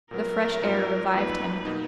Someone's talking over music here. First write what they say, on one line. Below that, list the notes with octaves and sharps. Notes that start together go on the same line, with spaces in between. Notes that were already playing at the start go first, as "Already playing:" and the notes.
The fresh air revived him.
A#2 F#3 B3 A#4
G#2 F#3 B3 F4
F2 F3 A#3 D#4 B4
B2 A#3 D#4